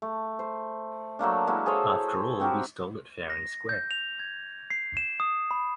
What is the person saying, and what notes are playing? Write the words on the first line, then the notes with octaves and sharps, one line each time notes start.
After all, we stole it fair and square.
A3
C5
F#3 A3 A#3 D4
G#3 A#3 E4 F#4
G#4 A4 C5 C#5
C4 F#4 G4 A#4
A#6
G6
F7
G#6
C7
E7
D#6
B5